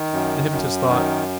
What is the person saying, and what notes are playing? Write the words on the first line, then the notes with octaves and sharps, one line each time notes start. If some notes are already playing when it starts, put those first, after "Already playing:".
The hypnotist thought.
Already playing: D#3
F#2
F#2
D#3